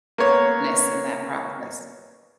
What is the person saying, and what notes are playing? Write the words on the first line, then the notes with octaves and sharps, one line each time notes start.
ness and that process.
A#3 B3 C#5